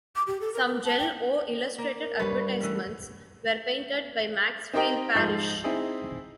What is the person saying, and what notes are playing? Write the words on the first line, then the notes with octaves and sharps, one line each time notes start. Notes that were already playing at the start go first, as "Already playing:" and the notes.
Some Jell-O illustrated advertisements were painted by Maxfield Parrish.
D6
G4
A4
A#4
A#4
A5
G5
A#3 A#4 D5
G2 G3 A#3 B4 C#5
E3 A3 C#4
C4 D#4 G4 A#4 D#5 G5
G#2 F3 D#5 G6 C7
C4 D#4 E4 G#4